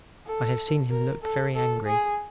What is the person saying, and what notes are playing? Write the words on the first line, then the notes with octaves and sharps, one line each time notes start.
I have seen him look very angry.
A4
A#4
A4
A4
G#4